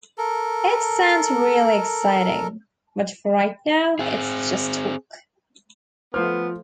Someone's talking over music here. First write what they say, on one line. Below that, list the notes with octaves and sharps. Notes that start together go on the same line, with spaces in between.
It sounds really exciting, but for right now it's just talk.
A4 A#4
C4 G#4
F3 A3 B3 F4 C5 F6